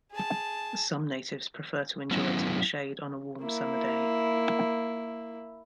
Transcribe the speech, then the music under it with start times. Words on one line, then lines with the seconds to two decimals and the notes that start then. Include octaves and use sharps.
Some natives prefer to enjoy it in the shade on a warm summer day.
0.11 G#4 A5
2.11 F#3 B3 C#4 E4
3.41 A#3 E4